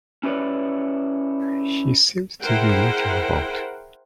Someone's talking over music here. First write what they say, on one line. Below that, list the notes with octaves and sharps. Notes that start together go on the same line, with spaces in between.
He seemed to be looking about.
C#4 E4 G4 B4 C#5 D5
E4 G#4 A#4 C5 F#5 G5